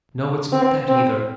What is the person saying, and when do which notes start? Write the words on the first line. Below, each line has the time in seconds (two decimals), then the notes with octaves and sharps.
No, it's not that either.
0.52 C4
0.88 C4